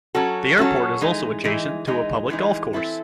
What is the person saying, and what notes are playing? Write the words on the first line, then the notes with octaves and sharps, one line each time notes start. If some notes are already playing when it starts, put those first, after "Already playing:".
The airport is also adjacent to a public golf course.
F#3 C#4 F#4 A4
F#3 C#4 F#4 A4
E3 G#3 D#4
E3 G#3 D#4
E3 G#3 D#4
E3 G#3 D#4
E3 C4 E4 A4